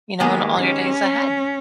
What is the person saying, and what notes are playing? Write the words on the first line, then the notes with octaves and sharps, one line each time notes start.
you know, in all your days ahead.
D#3 G#3 A#3 B3 G4
C#4